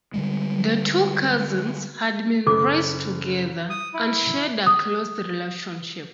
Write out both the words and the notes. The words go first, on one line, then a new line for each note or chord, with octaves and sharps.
The two cousins had been raised together and shared a close relationship.
D3 G3 G#3
F#1 A4 D6
D#6
E4
D#6